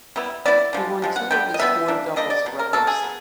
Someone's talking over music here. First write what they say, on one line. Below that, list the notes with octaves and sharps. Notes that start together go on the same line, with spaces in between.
He won two of his four doubles rubbers.
G3 B3 E4
G3 B3 E4 D5
D3 F3 G#3
D3 F3 G#3
F#5
D3 G3 B3 G5
D#5
D3 G3 B3 E5
G3 A#3 D4
G3 A#3 D4 D#5
D5
B2 F#3
A#4
B2 F#3 A#3 D4 A4
G#4
F#3 B3